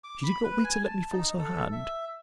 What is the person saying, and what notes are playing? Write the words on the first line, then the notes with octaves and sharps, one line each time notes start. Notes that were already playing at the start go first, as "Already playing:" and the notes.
She did not wait to let me force her hand.
D6
B5
B4
G#5
A5
D#4
A4
E5